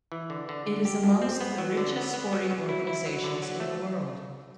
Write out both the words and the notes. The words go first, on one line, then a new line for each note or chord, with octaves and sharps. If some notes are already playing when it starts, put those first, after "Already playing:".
It is amongst the richest sporting organisations in the world.
E3
D3
D3
D3
G4
F#2
C4
B3
F#3
D3
B3
B3
F#3
F#3
E4
E4
F#3
D3
F#3
A3